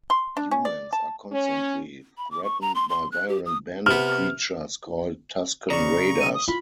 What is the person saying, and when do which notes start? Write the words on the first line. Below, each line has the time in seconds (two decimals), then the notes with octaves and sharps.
Humans are constantly threatened by violent bandit creatures called Tusken Raiders.
0.10 C6
0.37 D4
0.51 C#4
0.65 D5
0.93 A5
1.32 C#4
2.18 B5
2.31 D6
2.44 C#6
2.61 A#5
2.75 C6
2.89 C6
3.12 F#6
3.28 G4
3.46 D#6
3.86 C3 B3 F6
5.70 C#3 D5 A#5 C#6
6.20 D#7
6.35 D#6
6.48 F4 B5